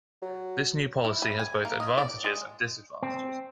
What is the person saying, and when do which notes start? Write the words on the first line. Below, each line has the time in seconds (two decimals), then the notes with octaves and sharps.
This new policy has both advantages and disadvantages.
0.22 F#3
1.05 E4
1.22 B5
1.39 G#5
1.65 A#3
1.80 D#5
1.98 D5
2.24 G#3
3.03 C4